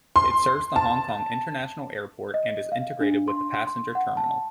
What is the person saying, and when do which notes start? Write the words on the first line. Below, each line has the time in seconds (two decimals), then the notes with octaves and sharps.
It serves the Hong Kong International Airport, and is integrated with the passenger terminal.
0.16 C6
0.76 A5
2.34 D#5
2.72 F5
3.01 D4
3.28 C6
3.67 C6
3.95 F#5
4.17 A5